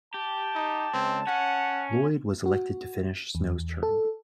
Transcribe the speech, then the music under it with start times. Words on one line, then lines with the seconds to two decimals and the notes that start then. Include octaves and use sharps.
Loyd was elected to finish Snow's term.
0.14 G4 A5
0.55 D#4
0.94 C#2 C4
1.27 C#4 F#5
2.46 F#4
3.35 E2
3.83 A4